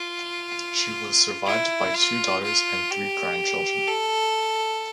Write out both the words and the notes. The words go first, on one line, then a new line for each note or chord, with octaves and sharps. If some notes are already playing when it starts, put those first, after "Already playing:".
She was survived by two daughters and three grandchildren.
Already playing: F4
E4
F4
F4
G4
A4